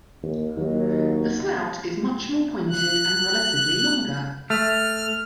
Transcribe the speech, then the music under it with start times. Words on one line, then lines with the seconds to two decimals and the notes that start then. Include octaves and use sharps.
The snout is much more pointed and relatively longer.
0.23 D#2
0.58 D#2 F#3 D#4
2.70 F#6
4.50 A3 F6